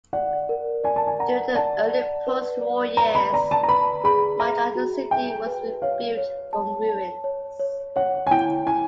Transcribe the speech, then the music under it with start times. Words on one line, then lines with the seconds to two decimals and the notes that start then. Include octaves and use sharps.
During the early post-war years much of the city was rebuilt from ruins.
0.13 D5 F#5
0.49 A#4
0.84 D5 G#5
0.96 A5
1.07 G#5
1.19 F#5 A#5
1.55 D5 A5
1.92 D5
2.27 B4
2.61 D5
2.97 B4 A#5
3.15 B5
3.33 D5 A#5
3.51 A5
3.63 A#5
3.69 B4 B5
4.04 G#4 B5
4.40 E5 A#5
4.75 F#4
5.11 E5 G5
5.46 B4
5.82 C#5 F5
6.17 C#5
6.53 A5
6.89 A5
7.24 C#5
7.60 C#5
7.96 C#5 F#5
8.27 G#5
8.31 E4 G5
8.67 E4 G#5